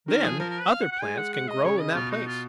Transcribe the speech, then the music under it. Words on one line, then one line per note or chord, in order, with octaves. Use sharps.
Then other plants can grow in that place.
D#3 A#4
F3 G#4
F3 A#4
A#4
B4
F5
F#5
F#5
G#3 G#5
F#5
F#5
D#5
C#3 C#5
D#5
B2 F4
D#4
F4